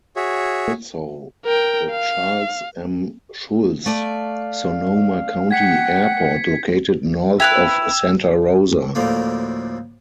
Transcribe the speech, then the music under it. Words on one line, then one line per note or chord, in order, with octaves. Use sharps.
Also the Charles M. Schulz - Sonoma County Airport located north of Santa Rosa.
F#4 G#4 C#5 E5
A#4 G5
F5
A3 D5 F5
F#5 G5 G#6 B6 C#7
E4 B4 G5 E6 F#6 G#6 F7
D2 A2 D3 F3 A#3